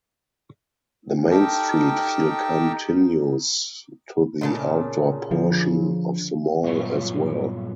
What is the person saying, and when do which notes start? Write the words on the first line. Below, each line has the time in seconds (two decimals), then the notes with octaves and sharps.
The Main Street feel continues to the outdoor portion of the mall, as well.
1.31 D#4 G4 A4 A#4 G5 A5
4.41 A#2 C#3 A5
5.31 D3 F3
6.64 G2 A#2 F#3 B3 F4 C#5